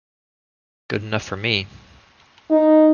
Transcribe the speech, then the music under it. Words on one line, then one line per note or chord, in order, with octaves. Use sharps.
Good enough for me.
D#4